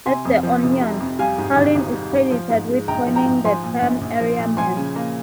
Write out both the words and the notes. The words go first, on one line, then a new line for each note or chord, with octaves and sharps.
At "The Onion" Karlin is credited with coining the term "Area Man".
C3 G#5 C6
F2
F3
F1
C3
F2
G3 F5 G#5
G#2
G#1
G#1
G3
G#2
F3
G#2
G#3
A#1 G5 A#5
F3
G5 A#5
G#2
F3 G#5 C6
A#2
A#1
A#1
F3
A#2
F3 G#5 C6
C#3
A#3